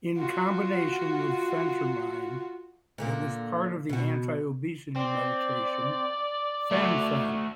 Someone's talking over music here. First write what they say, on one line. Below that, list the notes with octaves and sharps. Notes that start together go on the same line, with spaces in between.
In combination with phentermine, it was part of the anti-obesity medication Fen-phen.
F4 F#4
A#2 D3 A#3
B2 F#4
C4 D5
A3 F#4